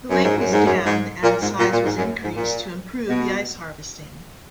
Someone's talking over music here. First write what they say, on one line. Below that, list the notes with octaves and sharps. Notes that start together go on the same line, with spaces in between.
The lake was dammed and its size was increased to improve the ice harvesting.
F#2
G#2
F#2
G#2
F#2
G#2
A#2
G#2
A#2
A#2
G#2
F#2
G#2
A#2
B2